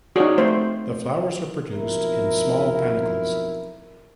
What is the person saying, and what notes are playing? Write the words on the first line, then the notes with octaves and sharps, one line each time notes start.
The flowers are produced in small panicles.
D#4 F#4 G#4 C#5 D5
A3 C4 C5
B1 F2 E4 A#4